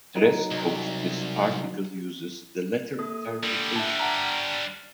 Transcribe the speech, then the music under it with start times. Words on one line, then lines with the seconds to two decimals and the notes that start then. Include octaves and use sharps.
The rest of this article uses the latter interpretation.
0.15 F#3 D#4
0.51 C2
2.99 A#3 A4 D#6
3.43 D3 G3
3.76 E5 A5
4.00 F#5 A5 A#5
4.23 F6